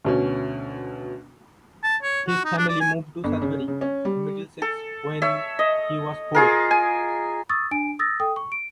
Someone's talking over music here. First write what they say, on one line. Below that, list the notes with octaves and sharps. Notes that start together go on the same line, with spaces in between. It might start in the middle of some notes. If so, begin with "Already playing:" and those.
His family moved to Sudbury, Middlesex when he was four.
D2 B2 C#4
A5
C#5
F#4
D#4
D4
D5
G#5
G1
C#3
C#3
C#4
G3
A4
C#5 E5
D#5
F4 G#4 A#4
G#5
C#6 D#6 E6 A6
D4 G#5 D7
D#6 E6 A6 A#6
A4 G5 D#6
C#6
D7